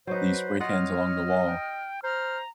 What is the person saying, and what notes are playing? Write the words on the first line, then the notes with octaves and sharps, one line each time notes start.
these spray cans along the wall?"
F#3 D#4 B4 C5
F4 C#5 D#5 F#5 F6
G5
C5 A#5 F6